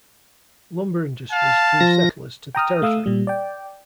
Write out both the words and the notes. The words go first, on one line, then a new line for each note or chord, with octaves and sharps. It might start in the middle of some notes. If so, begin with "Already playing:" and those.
Lumber industries drew settlers to the territory.
F5 A5
F3 A#6
G5 A#5 D#6 F6
A3 F5 D#6 E6
A#2 G3
D5 G5